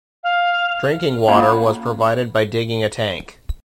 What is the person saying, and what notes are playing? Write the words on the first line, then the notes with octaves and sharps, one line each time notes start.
Drinking water was provided by digging a tank.
F5
A#3 C#4 F4 F5 A#5 B5